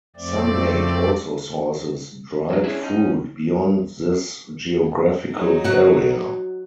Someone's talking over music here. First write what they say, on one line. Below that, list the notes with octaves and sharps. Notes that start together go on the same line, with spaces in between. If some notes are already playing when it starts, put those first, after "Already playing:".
Sun-Maid also sources dried fruit beyond this geographical area.
F2 A3 C4 D5
F2 F#3
C#4 D4 E4 G#4
D#4
F#3 D#4
F#4 F#5